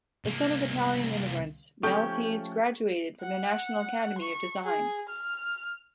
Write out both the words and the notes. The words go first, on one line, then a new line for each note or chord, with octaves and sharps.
The son of Italian immigrants, Maltese graduated from the National Academy of Design.
C2 A#3
F3 A3 C#4 G4 A4 C#6 G6
F#5
C#6
G#4
F6